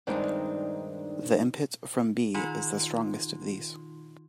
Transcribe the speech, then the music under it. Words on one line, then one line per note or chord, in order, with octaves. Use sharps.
The input from B is the strongest of these.
G2 D#3 G#3 C4 D4 D#4
D#3 D#4 F4 C6